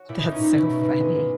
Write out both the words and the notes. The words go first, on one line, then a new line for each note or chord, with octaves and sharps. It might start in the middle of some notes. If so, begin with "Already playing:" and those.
That's so funny.
Already playing: F#4 C#5
A#2 E4
A#2 D#4
C#4
A#2 D#4
B2 E4
B2
B2
A#2 G#3
A#2